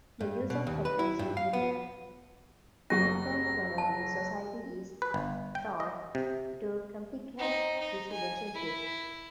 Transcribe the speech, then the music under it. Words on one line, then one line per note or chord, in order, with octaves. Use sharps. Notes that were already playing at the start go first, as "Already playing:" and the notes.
The use of technology in a contemporary society is thought to complicate this relationship.
G2
B2
D#2
B4
E4
G2
F5
B3
F#1 F#3 C#4 F#4 G4 A#6
A5
B4
G1
G5
D#5
C3
C4 D#4
D#4
G#5
E4